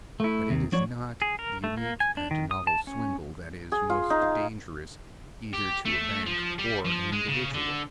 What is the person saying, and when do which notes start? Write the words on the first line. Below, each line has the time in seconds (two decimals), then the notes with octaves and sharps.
But it is not the unique and novel swindle that is most dangerous, either to a bank or an individual.
0.20 A3 E4
0.49 D#2 C3
0.72 F3 F#3 D4 C#5
1.22 G#4
1.39 A#4
1.64 A3
1.77 A#3
2.00 G#5
2.17 D4
2.31 D#3
2.51 D#6
2.67 A5
2.87 C#4
3.72 G#4
3.90 F4
4.10 D#4
4.22 F5
5.53 G4
5.85 A3
6.26 F3
6.58 G3
6.85 F3
7.12 G#3
7.28 C#3
7.54 D3